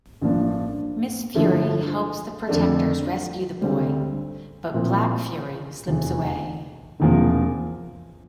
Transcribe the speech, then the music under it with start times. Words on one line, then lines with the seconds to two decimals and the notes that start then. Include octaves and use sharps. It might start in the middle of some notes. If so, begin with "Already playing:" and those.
Miss Fury helps the Protectors rescue the boy, but Black Fury slips away.
0.21 A1 G2 F3 A#3 D4
1.35 G1 G2 F3 A3 E4
2.49 F2 D3 A3 D4
3.61 D2 D3 G3 C4
4.74 A#2 F3 C4 E4 A#4
5.87 F1 E2 E3
7.00 E1 E2 C3 F3 A#3